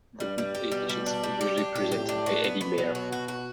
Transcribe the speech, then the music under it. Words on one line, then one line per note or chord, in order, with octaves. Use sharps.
The weekday editions are usually presented by Eddie Mair.
G2 G3
G3
G4
B2 G3
G3
D4
G3
G4
D4
A2 G4
G4
D4
F#4
B3
B3
B2 F#3
F#4
F#4
F#4